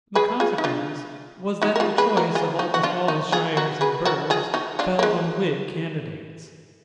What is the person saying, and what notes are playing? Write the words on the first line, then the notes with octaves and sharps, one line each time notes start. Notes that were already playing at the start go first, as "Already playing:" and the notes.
The consequence was that the choice of almost all the shires and burghs fell on Whig candidates.
G#4 B4
F4 G#4
D#4
D4 F4
D#4 F#4
A#4
F4 G#4
G#4 B4
F#4 A#4
F4 G#4
D#4 F#4
F#4
D4 F4
D#4 F#4
F4 G#4
F#4 A#4
G#4 B4
F#4 A#4
F4 G#4
D#4 F#4
D4 F4
A#3
G#3